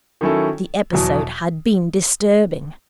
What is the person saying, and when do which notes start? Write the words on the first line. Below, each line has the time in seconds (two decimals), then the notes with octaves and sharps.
The episode had been disturbing.
0.21 D#3 F#3 C#4 E4 A4
0.93 E2 B2 F#3